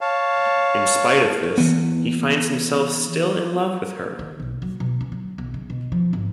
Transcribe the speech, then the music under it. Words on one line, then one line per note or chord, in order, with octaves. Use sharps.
In spite of this, he finds himself still in love with her.
C#5 F5 A5
E3 B3
D#3
B1
F#3
B2
C#4
F#3
B1
C#3
B2
F3
G#1